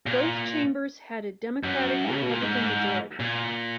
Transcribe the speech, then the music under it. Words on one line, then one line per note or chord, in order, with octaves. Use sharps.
Both chambers had a Democratic-Republican majority.
A#2
F#2
C#3
B2
A#2
G#2
A#2